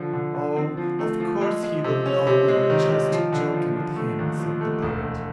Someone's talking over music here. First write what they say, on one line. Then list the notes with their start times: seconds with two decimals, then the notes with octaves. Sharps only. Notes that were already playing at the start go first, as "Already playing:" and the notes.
"Oh, of course he will know we were just joking with him," said the parrot.
Already playing: D3 F3
0.13 D3
0.35 D3
0.56 C4
0.77 F3
0.99 A3
1.20 F3
1.41 G#3
1.63 G#3
1.84 C3
2.06 C#4
2.27 C3
2.48 G#3
2.70 D#3
2.90 D#3
3.12 F3
3.32 D3
3.54 F3
3.76 F3
3.96 A3
4.19 D#2
4.39 F3
4.61 A3
4.83 E1
5.03 E1